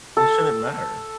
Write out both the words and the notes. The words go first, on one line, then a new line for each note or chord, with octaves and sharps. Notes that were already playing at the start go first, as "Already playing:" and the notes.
it shouldn't matter.
A4